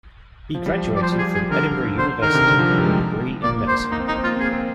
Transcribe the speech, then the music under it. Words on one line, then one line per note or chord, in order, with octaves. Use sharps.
He graduated from Edinburgh University with a degree in medicine.
F3
G3
F3
G3
D5
F3 C5
G3
G#4
F3
G#4
D3 A#4
D3 C5
D#3 A#4
D3
C3
D3
F3
G3
G#3
A#3 D5
C5
A#3 D#4
C4
A#3 D#4
C4
F4
A#3
C4
G#4
A#3
C4